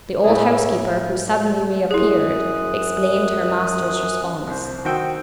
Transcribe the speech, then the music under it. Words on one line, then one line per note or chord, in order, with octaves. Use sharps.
The old housekeeper, who suddenly reappeared, explained her master's response.
A2 A3 E4 G#4
F#2 E4 G#4 D#6 F#6
C2 C5
D#3 F#4 C5 G5 E6